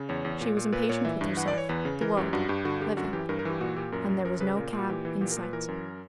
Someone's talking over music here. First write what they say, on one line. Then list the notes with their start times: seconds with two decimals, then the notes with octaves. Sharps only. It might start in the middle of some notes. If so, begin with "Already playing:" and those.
She was impatient with herself, the world, living,--and there was no cab in sight.
Already playing: C#3
0.09 E2 C#5
0.25 E2
0.41 A#2
0.57 A#2
0.72 A#2 B4
0.89 A#2 C#5
1.05 E3 E5
1.21 G2
1.37 E3 F#5
1.48 D5
1.53 E3 C#5
1.69 E2 B4
1.85 C#3
2.01 E3 A#4
2.17 F#2 G4
2.33 G2 F#4
2.49 G2 G4
2.65 D3 F#4
2.80 D3 G4
2.97 F#2 F#4
3.13 E3 G4
3.29 G2 A#4
3.39 A#4
3.45 E3 G4
3.60 A#2 F#4
3.76 A#2 G4
3.92 F#2 A#4
4.09 F#2
4.25 F#2 A#4
4.40 C#3 B4
4.56 A#2 A#4
4.73 A#2
4.79 F#4
4.89 E3 G4
5.05 E3
5.21 A#2 G4
5.32 A#4
5.37 A#2
5.43 B4
5.53 E3 A#4
5.68 F#2